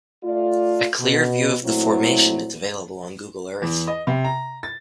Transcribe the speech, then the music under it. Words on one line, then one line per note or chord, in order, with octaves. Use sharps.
A clear view of the formation is available on Google Earth.
A3 F4 D5
B2
A#2 F#3 A3 C4 E4
E2
D#5
C3
A#5
A6